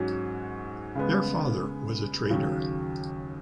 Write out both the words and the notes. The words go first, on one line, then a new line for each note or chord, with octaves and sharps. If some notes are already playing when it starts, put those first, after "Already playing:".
Their father was a trader.
Already playing: G#2 F#3 C#4 F#4
C#3 G#3 B3
D#2 C#3 F#3